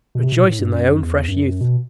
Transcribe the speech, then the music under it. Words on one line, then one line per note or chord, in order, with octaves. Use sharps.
"Rejoice in thy own fresh youth!"
B2
C3
B2
A2
G2
F#2
E2
G2
F#2
B2